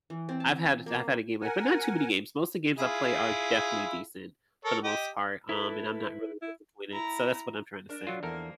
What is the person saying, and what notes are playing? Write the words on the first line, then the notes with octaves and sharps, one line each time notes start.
I've had I've had a game like But not too many games. Most of the games I play are definitely decent for the most part, um, and I'm not really disappointed. So that's what I'm trying to say.
E3
C4
A5
A#3
A#4 F#5 G#5
E4 F4 G#4
A4 A#4 C#5
G4 D#5
E4 A4 B4
E4
E4 A#5
D4 A#4
F#3 F4
E2 F3 A#3 A4 A#4